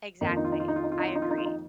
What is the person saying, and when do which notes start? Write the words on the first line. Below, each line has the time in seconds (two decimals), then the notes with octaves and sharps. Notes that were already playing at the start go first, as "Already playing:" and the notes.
Exactly. I agree.
0.21 F2 D#3 A#3 D#4
0.29 F4
0.37 D#4
0.45 F4
0.52 D#4
0.60 F4
0.68 D#4
0.76 F4
0.84 D#4
0.92 F4
0.99 D#4
1.08 F4
1.15 D#4
1.22 F4
1.31 D#4
1.38 F4
1.46 D#4